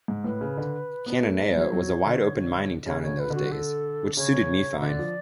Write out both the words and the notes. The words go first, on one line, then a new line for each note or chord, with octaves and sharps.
Cananea was a wide-open mining town in those days, which suited me fine.
G#2
A2 B4
C#3
D3
B3
A3
G#3
F#3 C#5
F#3
F3
D3
C#3 C#5
D3 C#5
B4
D3 F#4
A4
C#3 C#5
D3 D5
F3